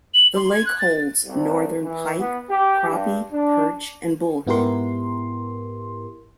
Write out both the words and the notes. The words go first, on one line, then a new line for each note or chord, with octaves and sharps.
The lake holds Northern Pike, crappie, perch, and Bull Head.
F#7
C6
G#6
F#6
A6
C2
E3
B3
G4
G2
D4
G#2 B3 E4 G4 A#4 C6